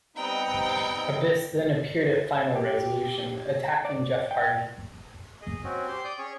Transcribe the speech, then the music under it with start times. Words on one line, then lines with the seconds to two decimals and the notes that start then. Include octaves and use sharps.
Abyss then appeared at Final Resolution, attacking Jeff Hardy.
0.16 G3 B3 C4 D#4 F#5 G5 A#5
2.56 G4
3.85 D5
4.31 G5
5.42 G#4 D#5
5.64 C4 C#4 F#4
5.87 G4 C5 C6
6.04 D5 G5 D#6 G6
6.18 C#4 G#4 C#5 C#6